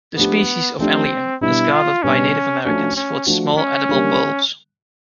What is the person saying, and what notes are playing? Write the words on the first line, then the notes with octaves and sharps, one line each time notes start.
This species of "Allium" is gathered by Native Americans for its small edible bulbs.
F3 A3 B3 D4 G4
F3 A3 C4 D4 G4
B2 G3 B3 D4 E4
F4
B2 G3 B3 C#4 D4
F3 A3 C#4 D4 F#4
C#4
F3 A3 D4 F#4
C#4
D3 G3 A#3